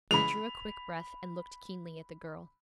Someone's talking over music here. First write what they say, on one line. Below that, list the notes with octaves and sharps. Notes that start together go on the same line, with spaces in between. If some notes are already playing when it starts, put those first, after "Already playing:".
He drew a quick breath and looked keenly at the girl.
C#3 E3 G#3 B5 F7